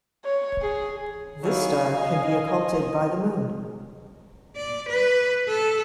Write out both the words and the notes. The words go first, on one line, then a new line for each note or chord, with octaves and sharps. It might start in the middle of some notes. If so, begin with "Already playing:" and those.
This star can be occulted by the moon.
C#5
G#4
D#3 F#3 E4 F5 G#5
D#5
D5
B4
A4